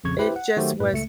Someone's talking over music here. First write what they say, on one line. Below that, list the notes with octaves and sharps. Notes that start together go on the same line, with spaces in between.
it just was
A#1 F2 C#3 C#6 G#6
E4 G4 B4 C5
F#5
D#3 F#3 A3 F#4 G4 C5
F#2 A2 B4
C#2 A3 C#7